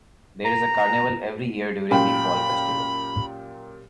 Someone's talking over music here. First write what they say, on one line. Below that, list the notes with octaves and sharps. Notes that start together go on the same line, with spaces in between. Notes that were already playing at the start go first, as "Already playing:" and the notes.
There is a carnival every year during the Fall Festival.
A#5
F#2 A#2 G4 A#4 G5 B5